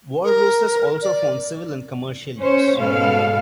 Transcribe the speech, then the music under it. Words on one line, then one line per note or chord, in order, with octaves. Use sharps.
Walruses also found civil and commercial use.
A#4
D5
C#4 C5 C#5
G#2 B2 G#3 A4 F5